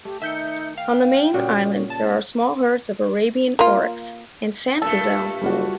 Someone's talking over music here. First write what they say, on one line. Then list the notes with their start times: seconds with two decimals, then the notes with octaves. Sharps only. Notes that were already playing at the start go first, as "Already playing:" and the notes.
On the main island there are small herds of Arabian oryx and sand gazelle.
0.05 A3 G4
0.22 D#3 D#4 E5 G6 C#7
0.78 F5 G5
1.34 A#2 C#3 G3 F#4
1.90 A5
3.59 A#3 F4
4.82 G2 A#2 A3 A4
5.42 F#1 G3 F4 F#4